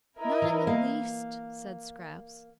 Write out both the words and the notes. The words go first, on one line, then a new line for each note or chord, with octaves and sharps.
"Not in the least," said Scraps.
E4 A#4 D#5
E3
A#3